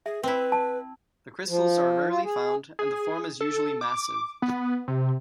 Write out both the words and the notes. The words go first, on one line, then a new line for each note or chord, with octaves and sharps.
The crystals are rarely found and the form is usually massive.
G#4 E5
C4 E4 B4
A5
F3
F4
G#4
G#4
A4
D6
B3
C3